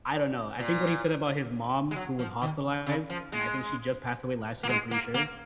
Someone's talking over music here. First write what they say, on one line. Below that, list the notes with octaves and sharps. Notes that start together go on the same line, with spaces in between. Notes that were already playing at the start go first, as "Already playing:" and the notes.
I don't know, I think what he said about his mom, who was hospitalized, and I think she just passed away last year, I'm pretty sure,
A#2
G#3
F#3
F3
D#3
C#3
F3
G#3
A#3
G#3
A#3
A#3